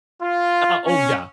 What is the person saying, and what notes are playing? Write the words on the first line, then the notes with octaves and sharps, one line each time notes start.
Uh, oh yeah,
F4
C#4